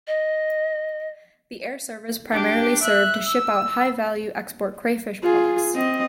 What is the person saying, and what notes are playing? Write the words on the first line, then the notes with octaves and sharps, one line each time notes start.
The air service primarily served to ship out high-value export crayfish products.
D#5
D4 G4
E5 F#6
E6
F4 G#4
C4 D#5